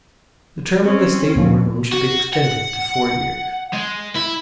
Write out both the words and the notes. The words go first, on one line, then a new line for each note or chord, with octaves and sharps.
The term of the State Warden should be extended to four years.
C4 C#4
D2 A#2 F3
F#4
F#5
G#3
E4